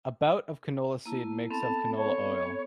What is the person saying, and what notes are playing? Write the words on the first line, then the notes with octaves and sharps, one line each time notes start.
About of canola seed makes of canola oil.
A#3 E4 A5
B3 C4 A4 A5
C#5